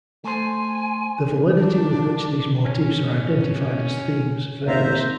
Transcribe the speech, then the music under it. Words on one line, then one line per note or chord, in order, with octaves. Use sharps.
The validity with which these motifs are identified as themes varies.
A3 A4 C5 G#5
D4 D5
C#4
D#2 C3 F4 C5 E5 A#5